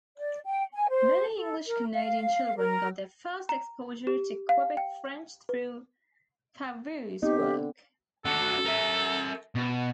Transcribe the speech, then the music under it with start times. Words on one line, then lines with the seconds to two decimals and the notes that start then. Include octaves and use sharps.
Many English Canadian children got their first exposure to Quebec French through Favreau's work.
0.17 D5
0.45 G5
0.73 G#5
0.90 C5
1.34 A4
1.66 A#4
1.93 F5
2.56 A#4
3.49 A#5
4.07 G4
4.49 F5
4.77 G5
5.49 B4
7.23 B3 C4 D#4 G4
7.39 D3
8.25 D4 F#4 A4
8.66 A#4 E5
9.55 B2